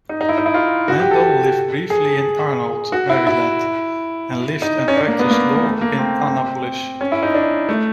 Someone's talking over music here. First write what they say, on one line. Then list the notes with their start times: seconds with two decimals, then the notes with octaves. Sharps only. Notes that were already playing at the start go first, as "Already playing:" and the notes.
Mandel lived briefly in Arnold, Maryland, and lived and practiced law in Annapolis.
0.09 D#4
0.21 D#4
0.29 E4
0.38 D#4
0.46 E4
0.54 F4
0.88 F#4
1.00 G4
1.11 A4
1.90 G#4
2.92 F#4
3.10 E4
3.27 E4
4.62 D#4
4.88 C#4
4.96 D4
5.08 A#3
5.19 B3
5.30 A#3
5.56 A#3
5.64 A3
5.81 A#3
5.99 C4
7.01 C#4
7.12 E4
7.23 D#4
7.34 D4
7.69 A3